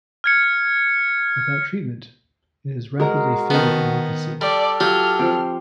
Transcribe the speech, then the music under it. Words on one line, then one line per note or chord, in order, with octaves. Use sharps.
Without treatment, it is rapidly fatal in infancy.
F6 G#6 C#7
G#3 F#4 A#4 A#5
D#3 B3 A5
G3 A4 D5
F#3 F4 G4 F6
F3 C4